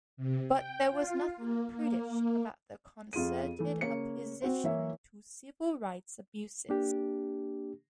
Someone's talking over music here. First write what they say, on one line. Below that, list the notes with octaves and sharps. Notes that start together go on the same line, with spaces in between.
But there was nothing prudish about their concerted opposition to civil rights abuses.
C3
G5
F4
A#3
A#3
A#3
F2 F4 G#4 D#7
E3 A3
C#3 A#3 C#5 C#7
C4 F#4 C5
E3 A#3 C#5 E5
A#3 D4 G4